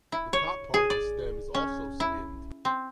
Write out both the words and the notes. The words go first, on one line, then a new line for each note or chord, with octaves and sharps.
The top part of the stem is also skinned.
E4
C#5
G#4
D5
C#4
E4
C4